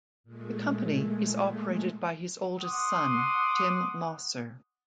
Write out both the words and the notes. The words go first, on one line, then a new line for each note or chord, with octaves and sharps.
The company is operated by his oldest son, Tim Mosser.
A#2 G#3 A3
F#5 C6 D6 D#6